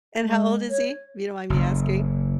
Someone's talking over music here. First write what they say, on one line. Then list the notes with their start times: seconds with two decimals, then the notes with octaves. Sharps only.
And how old is he? If you don't mind me asking?
0.24 G#3
0.70 C#5
1.50 F#1